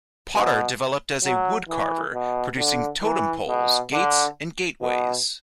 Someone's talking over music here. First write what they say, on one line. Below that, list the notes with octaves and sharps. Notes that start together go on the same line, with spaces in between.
Potter developed as a wood carver, producing totem poles, gates and gateways.
B2
F#3
E3
B2
D3
E3
B2
D3
B2